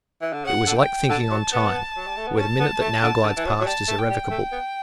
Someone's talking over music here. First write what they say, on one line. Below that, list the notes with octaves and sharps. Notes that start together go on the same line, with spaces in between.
It was like thinking on time, where the minute that now glides past is irrevocable.
E3
D3
C#3 F#5
D3
G5
D3 A5
F#3
B3
F#3
G3
A3
B3
C#4 A5
B3
A3
D3
D3
E3
F#3
F#3
G3 A5
A3
G5
G3
A3
B3